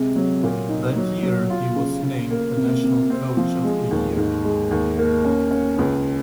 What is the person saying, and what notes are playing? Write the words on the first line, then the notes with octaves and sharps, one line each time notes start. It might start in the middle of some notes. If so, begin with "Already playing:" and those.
That year he was named the national coach of the year.
Already playing: C3 G#3
F#3
A#2
D#4
F#3
F#3
F4
C#3
C#3
A#3
C3
C3
C4
F3
G#3
D#2
G#2
G#3
D#2
A#3
C#4
C#4
C#2